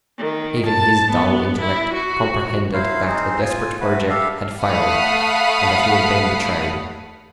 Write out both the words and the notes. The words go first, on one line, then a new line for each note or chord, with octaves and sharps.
Even his dull intellect comprehended that the desperate project had failed, and that he had been betrayed.
D#3
A5
B3
E4
F#4
F#3 E4 C5 F5
G#3 C4 D#4 C5
F4 G#5
A3 F#4 B4
G4 A4 E5 F5
A3 F5 F#5 B5 D#6